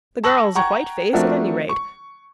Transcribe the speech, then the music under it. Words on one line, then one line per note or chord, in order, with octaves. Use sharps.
The girl's a white face at any rate.
A5 C#6 E6 A#6 F#7
F#5 G5 A#5 C#6 G#6
F3 A3 C4 D4 F#4 A#4
C#6